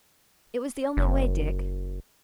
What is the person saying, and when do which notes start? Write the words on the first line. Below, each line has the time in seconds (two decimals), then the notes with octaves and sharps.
'It was the only way, Dick.
0.97 F#1